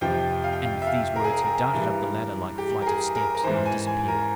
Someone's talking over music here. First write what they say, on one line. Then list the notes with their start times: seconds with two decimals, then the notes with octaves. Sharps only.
And with these words he darted up the ladder-like flight of steps and disappeared.
0.01 F2 C3 F3 G5
0.44 F5
0.53 G5
0.62 F5
0.82 E5
0.87 F5
1.16 A#4
1.24 G#4
1.33 A#4
1.44 A#4
1.73 G2 E3
2.58 G4
2.82 A#4
2.87 G#4
3.15 A#4
3.35 A#4
3.44 G#2 E3 C5
3.66 G#5
3.87 G#5
4.08 A#4